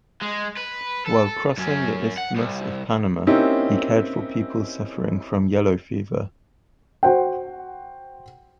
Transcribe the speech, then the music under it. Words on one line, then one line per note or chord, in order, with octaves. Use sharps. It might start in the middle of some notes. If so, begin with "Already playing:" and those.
While crossing the Isthmus of Panama, he cared for people suffering from yellow fever.
G#3
B4
A4
F#2 C#4
F#5
C2
A#3 C4 C#4 D#4 E4 G4
F#4 C5 F#5 G5